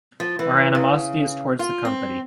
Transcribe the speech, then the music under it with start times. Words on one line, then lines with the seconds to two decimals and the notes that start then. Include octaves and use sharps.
Our animosity is towards the company.
0.20 F3
0.39 E3
0.75 C#3
1.59 F4
1.85 C4